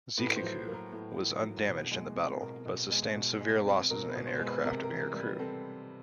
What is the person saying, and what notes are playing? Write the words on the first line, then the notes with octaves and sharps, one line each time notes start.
"Zuikaku" was undamaged in the battle, but sustained severe losses in aircraft and aircrew.
A2 B4
C5
F#3
A#3
A#4
A2
A2
F#3
B2
G#3
C4
B2 A#4
B2
G#3
B2
G#3
C4
B2 A#4
B4
B2
C5
G#3
B4
C3 A#4
A#4
E3
A#4
G3
B4
C4 A4